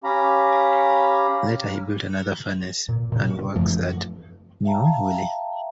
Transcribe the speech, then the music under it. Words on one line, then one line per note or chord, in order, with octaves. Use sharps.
Later he built another furnace and works at New Willey.
C#4 G4 F5 A#5 B5
A#2
A#2 C#3
F#2 E3 F3 A3
E5 F5 G5 A5 A#5